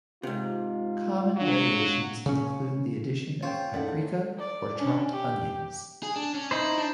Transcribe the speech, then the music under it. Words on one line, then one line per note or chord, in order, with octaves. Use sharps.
Common variations include the addition of paprika or chopped onions.
G#2 C3 F4
F#3 D4 F5
C#3 C#4
C4 C#4 F4 G#4 C5 C#5 G5
A2 C#3 C#4 D#4 A4 D5 E5 F#5
D5
C#4 D4
G4
G#4
D4
C#4
D#4 E4 C5
D4